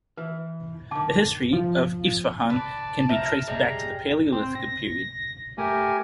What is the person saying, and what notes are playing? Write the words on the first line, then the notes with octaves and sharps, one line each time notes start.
The history of Isfahan can be traced back to the Palaeolithic period.
E3 B4
D3 D#3 A5 D6
F3
B4 D5 A5
F3 E5 A#5 F6
G3 G#3 A#5
C4
A#6
A3 G4 A#4 G#5